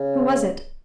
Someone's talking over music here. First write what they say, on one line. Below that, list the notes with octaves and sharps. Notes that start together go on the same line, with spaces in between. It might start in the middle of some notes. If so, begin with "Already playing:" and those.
"Who was it?"
Already playing: C#3